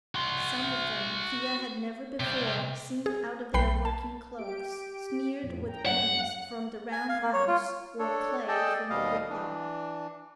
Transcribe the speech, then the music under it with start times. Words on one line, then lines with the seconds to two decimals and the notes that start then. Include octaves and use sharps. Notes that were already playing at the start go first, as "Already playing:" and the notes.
Some of them Thea had never before seen out of their working clothes, smeared with grease from the round-house or clay from the brickyard.
0.15 F#4 C6
2.20 C3 G3
3.06 G#4
3.54 B1 B4 G5 B5 C7
3.85 A5
4.38 G4 D7
5.43 F2 A2
5.67 G5 A#5
5.86 F#2 F#5
6.92 G#5
7.09 F5
7.22 A#3
7.33 C#5
7.48 F4
7.99 D4 A4 C#5
8.48 G#4 A4 D5 D#5 G5 A5
8.90 D#2 B2 G3 D#5 F5
9.29 E3 D4